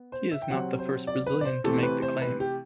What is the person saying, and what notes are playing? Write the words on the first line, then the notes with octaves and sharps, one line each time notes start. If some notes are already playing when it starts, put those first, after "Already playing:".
He is not the first Brazilian to make the claim.
Already playing: B3
C5
E5
G5
C3 F#3 C4 F#5
C5
D5
B4
D5
C5
C3 E3 A3 C4 A4
B4
C5
B4
G4